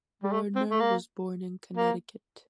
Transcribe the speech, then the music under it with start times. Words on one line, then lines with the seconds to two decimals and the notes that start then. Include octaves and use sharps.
Warner was born in Connecticut.
0.23 G3
0.32 A3
0.55 C4
0.71 A3
0.80 A#3
1.77 A#3